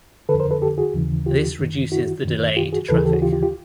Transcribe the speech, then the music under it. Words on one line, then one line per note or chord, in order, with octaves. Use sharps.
This reduces the delay to traffic.
F2 D3 A4 B4
A#4 C5
A4 B4
G4 A4
F#4 G#4
D#2 C#3 E3
F4 G4
F#2 D#3
E4 F#4
F#2 D#3
F4 G4
F#4 G#4
D#2 C#3 E3 A4 B4
G#4 A#4
G4 A4
F#4 G#4
F4 G4
F4 G4
F4 G4